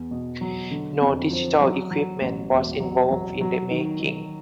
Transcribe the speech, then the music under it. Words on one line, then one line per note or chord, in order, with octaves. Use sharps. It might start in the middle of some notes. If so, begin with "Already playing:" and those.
No digital equipment was involved in the making.
Already playing: E2
B2
F#3
D3
F2
F3
F#3
F#3
A1
E1
F#3
F#3
F#3
D#3
D#3